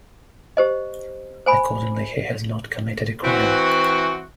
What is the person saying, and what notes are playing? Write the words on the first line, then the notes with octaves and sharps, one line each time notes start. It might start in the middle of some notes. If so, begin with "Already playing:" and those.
Accordingly, he has not committed a crime.
G4 C5 D#5
C5 G#5 B5
E3 C4 F#4